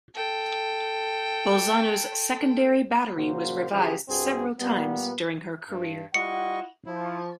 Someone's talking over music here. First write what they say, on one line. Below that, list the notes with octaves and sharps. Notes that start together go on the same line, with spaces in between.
"Bolzano"s secondary battery was revised several times during her career.
A4 G5
A#2 C#3 A#3 F#4 C5
C#3 E3 F3 G4 G#4
C2 G2 C4 F#4 G#4
A#2 G3 B3
G2
G3 E4 F4 D#5 F#5 C#6 C#7
F3 E4